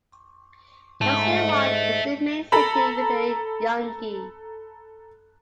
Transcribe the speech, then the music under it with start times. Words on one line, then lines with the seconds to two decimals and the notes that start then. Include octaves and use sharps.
Jochiwon is the main city within Yeongi.
1.01 G#2 E5 A5
2.52 A4 A#5 B5